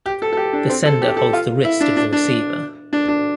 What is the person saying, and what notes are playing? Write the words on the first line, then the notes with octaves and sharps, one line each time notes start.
The sender holds the wrist of the receiver.
G4
A4
A4
G4
D4
C4
A4
G4
A4
F4
E4
D4
D4
D4
D4
D4